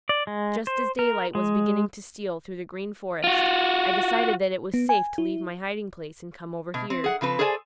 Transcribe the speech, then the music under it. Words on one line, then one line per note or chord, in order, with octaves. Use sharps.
Just as daylight was beginning to steal through the Green Forest, I decided that it was safe to leave my hiding place and come over here.
D5
G#3
C5
A#4
G#3
F4 F#4
B3
G#5
E4
B2
C4
G#4 F#5
C#3 F3 C4 B4
G#4 A4 C5 D5 F#5 G#5